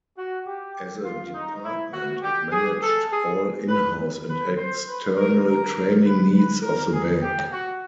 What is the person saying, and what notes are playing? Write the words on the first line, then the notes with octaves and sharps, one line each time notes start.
As a department it managed all in-house and external training needs of the bank.
F#4
G4
F4
D#4
E4
F#4
G4
G#4
A4
G#4
B4
B4
C5
B4
A#4
A#4
B4
B4
A#4
G#4
G4
F#4